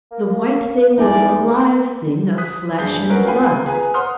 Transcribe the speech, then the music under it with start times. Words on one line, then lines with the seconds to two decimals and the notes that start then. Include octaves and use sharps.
The white thing was a live thing of flesh and blood.
0.11 A#3
0.98 E2 D#4 E4 D5 G#5
2.38 D#6 F#6 B6
2.78 F#1 D4 G#4 G6 C7
3.09 F#3 C#4 F#4 A#4 B4
3.26 F4 G5 G#5 B5
3.66 G#4 B4 G#5 A#5
3.94 C5 F#5 C6 D#6 F6 F#6